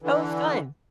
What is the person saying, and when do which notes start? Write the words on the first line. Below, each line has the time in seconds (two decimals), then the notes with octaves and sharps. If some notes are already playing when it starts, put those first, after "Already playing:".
Oh, fun.
0.02 D3 E3